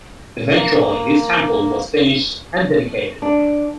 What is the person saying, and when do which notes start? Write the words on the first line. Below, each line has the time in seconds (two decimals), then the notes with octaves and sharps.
Eventually, this temple was finished and dedicated.
0.55 A#3
3.22 D4